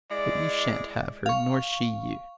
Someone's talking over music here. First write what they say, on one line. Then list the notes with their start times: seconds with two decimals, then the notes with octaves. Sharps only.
But you shan't have her, nor she you.
0.11 G#3 E4 D5
1.26 F5 C#6